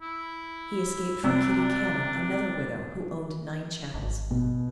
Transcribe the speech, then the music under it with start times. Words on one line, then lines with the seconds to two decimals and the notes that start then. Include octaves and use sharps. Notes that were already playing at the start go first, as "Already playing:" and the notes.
He escaped from Kitty Cannon, another widow, who owned nine chattels.
0.02 E4
1.23 C2 C3 D4 E6
3.94 G#1
4.31 B2